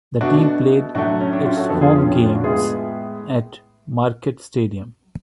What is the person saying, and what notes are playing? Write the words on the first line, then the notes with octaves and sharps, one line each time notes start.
The team played its home games at Marquette Stadium.
B2 A3 D4 F#4
A2 F#3 A3 D4 F#4
C#4
D4
F#4
C#4 F4
F#4 A4
F2 D3 F3 B3 F#4 A4
F4 G#4
C#4 F4
C#4
D4
C#4 F4
D4 F#4
A2 G#3 B3 F4 G#4